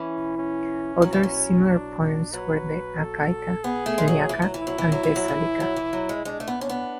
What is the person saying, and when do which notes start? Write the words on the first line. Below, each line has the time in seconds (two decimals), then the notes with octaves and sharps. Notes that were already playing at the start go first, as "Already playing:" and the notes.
Other similar poems were the "Achaica", "Eliaca", and "Thessalica".
Already playing: E3 C#4
0.37 C#4
1.02 F#3 C#4
1.13 E3
1.23 F#3
1.68 D4
2.00 D4
2.33 F#3 B4
2.99 A4
3.64 B3 G#4
3.86 A3
3.98 G#3
4.08 F#3
4.29 E3
4.42 F#3
4.54 E3
4.62 E4
4.67 F#3
4.78 E3
4.92 F#3
5.03 E3
5.16 F#3
5.28 E3
5.60 F#3
5.76 E3
5.93 F#3
6.09 G#3
6.25 G#3 D4
6.40 A3
6.48 B3
6.59 C#4 D4
6.69 B3